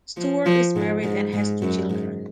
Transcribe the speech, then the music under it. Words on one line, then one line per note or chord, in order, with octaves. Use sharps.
Stewart is married and has two children.
F3
F3
G#2
G#2
G#2
F#2
G#2